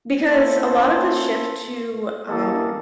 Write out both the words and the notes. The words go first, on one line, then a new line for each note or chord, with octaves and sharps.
because a lot of the shift to, um,
A#3 C#4 E4 A4 C5
E3 G3 A#3 A4 D#5